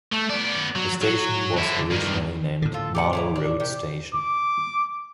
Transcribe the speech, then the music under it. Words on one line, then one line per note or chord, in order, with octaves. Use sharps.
The station was originally named Marlow Road station.
A3
B3 D5
F#3
F#3
D3 E4
G2 D#3
A2 D3
F4 A4
G4 G#4 F#5 D6
C#3 E4 A#5
D4
C3 G4
D6